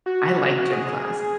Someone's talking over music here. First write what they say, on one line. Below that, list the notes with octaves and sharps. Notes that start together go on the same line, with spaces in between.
I like gym class,
F#4
G#4